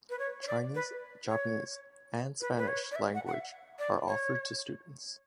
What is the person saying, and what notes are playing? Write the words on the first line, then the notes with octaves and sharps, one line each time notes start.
Chinese, Japanese and Spanish language are offered to students.
B4
C#5
C#5
D5
B4
C#5
B4
B4
C#5
D5
E5
F#5
F#5
E5
D5
C#5